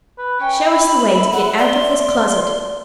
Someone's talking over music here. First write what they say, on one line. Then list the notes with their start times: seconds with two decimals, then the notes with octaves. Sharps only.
Show us the way to get out of this closet.
0.18 B4
0.40 C#4 G5
0.65 E5 B5
1.33 F#5
1.58 D5 C6